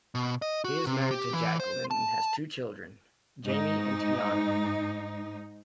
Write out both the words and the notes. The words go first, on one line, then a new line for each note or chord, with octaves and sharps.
He is married to Jacqueline and has two children, Jaimee and Tiahna.
B2
D#5
F#4
C3
G4
E3
C5
A5
G#2 D#4